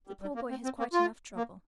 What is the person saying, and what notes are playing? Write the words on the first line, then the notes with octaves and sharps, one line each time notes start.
"The poor boy has quite enough trouble."
G3
G3
A#3
C4
C4
A#3
F4
A#3